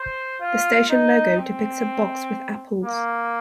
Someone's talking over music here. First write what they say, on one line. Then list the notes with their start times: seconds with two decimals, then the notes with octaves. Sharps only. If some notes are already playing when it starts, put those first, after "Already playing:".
The station logo depicts a box with apples.
Already playing: C5
0.41 F4
0.90 D#4
1.39 C4
2.84 A#3